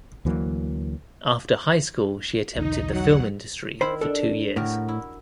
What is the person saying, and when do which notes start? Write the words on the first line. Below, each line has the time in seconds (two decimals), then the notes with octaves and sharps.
After high school she attempted the film industry for two years.
0.25 D2 E3 F#3 A#3
2.56 B1 E2 D3 D#4
2.87 F#3 F#5
3.81 D#3 E4 C5 B5
4.01 D4 A4
4.56 A2 F#4 G4 A#4
4.88 E4